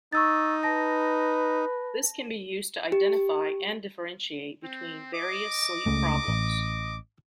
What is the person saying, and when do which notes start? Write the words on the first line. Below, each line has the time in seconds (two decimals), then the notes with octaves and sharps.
This can be used to identify and differentiate between various sleep problems.
0.13 D#4 C#6 E6 A6
0.63 B4 A5 A#6
2.92 G4
4.62 C4
5.13 D#5 D6
5.86 C#2 C#3 A3
6.28 A1